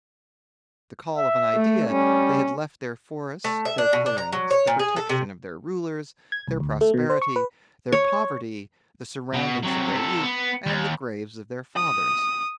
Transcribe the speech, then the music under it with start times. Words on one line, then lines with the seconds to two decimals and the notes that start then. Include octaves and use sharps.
At the call of an idea they had left their forests, their clearings, the protection of their rulers, their prosperity, their poverty, the surroundings of their youth and the graves of their fathers.
1.18 E5
1.55 A3
1.90 G3 C#4
3.44 A3
3.65 E5
3.78 D4
3.93 B2
4.06 D4
4.18 A#5
4.33 F#3
4.51 C#5
4.67 A#2
4.79 G#4
4.96 A4
5.09 C3
6.32 G#6
6.47 C2
6.60 D2
6.81 A3
6.94 B2
7.10 C5
7.22 C#6
7.36 B4
7.92 C#5
9.34 B2
9.63 C3 F#3
9.92 C3 A4
10.22 B3
10.66 D#2
11.75 D#6